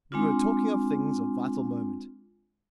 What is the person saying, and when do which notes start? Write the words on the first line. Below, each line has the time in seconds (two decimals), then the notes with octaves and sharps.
We were talking of things of vital moment.
0.12 G#3 C4 D4 F4